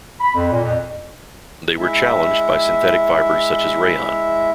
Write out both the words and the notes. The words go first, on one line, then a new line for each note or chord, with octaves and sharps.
They were challenged by synthetic fibres such as rayon.
B5
F2
A#2
F2
G#3 E4 E5